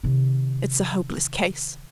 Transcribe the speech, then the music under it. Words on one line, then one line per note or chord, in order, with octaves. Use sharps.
It's a hopeless case!
C3 D#3